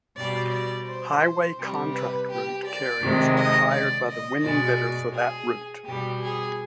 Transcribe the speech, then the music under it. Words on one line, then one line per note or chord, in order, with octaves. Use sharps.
Highway Contract Route carriers are hired by the winning bidder for that route.
B2 G3 D5
D5
C5
C3 G3
B4
G4
D5
C3 D#3 G#3
D#5
D5
D#5
B2 G#3 D5
G#4
B2 G3 G4
G#4